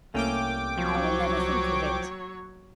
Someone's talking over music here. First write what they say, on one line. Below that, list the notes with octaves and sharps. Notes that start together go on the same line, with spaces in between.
I will never think of it.
C2 A3 A#3 C#4 G5 D6
F3 F#3 C#5